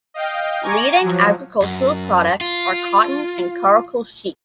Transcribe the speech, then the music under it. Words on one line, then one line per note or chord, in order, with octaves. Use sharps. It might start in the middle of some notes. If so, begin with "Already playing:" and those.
Leading agricultural products are cotton and Karakul sheep.
D#5 F5 G5 G6
G#5 A#5 C#6 D6 G#6 A#6
F3 F#3
F#2
F4